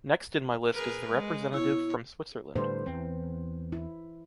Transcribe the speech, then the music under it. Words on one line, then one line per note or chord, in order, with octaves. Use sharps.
Next in my list is the representative from Switzerland.
G#4 A#4 B4
G#3
B2 E4 C#5
A2 D3 G3 B4 C5
E2 E3 C4
E4